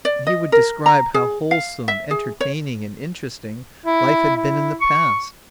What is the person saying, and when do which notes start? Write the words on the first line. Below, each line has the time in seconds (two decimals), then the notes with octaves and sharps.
And he would describe how wholesome, entertaining, and interesting life had been in the past.
0.05 D5
0.27 D#5
0.52 A#4
0.86 A#5
1.14 G#4
1.51 F5
1.88 E5
2.11 G#4
2.41 C#5
3.86 E4
4.36 E4
4.81 C#6